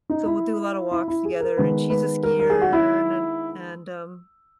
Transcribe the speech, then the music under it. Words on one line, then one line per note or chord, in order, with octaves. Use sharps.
so, we'll do a lot of walks together, and she's a skier and an and, um,
D#4
E4
E4
E4
G#4
A#4
D#3 G#3 B3 B4
B4
A#4
A#4
G#4
F#4
E4